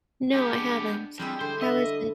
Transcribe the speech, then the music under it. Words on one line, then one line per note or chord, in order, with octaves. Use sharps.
No, I haven't. How is it?
G#3 B3 D4 G4
F2 G3 G#3 E4 G5
D3 C5 G5
D#5 E5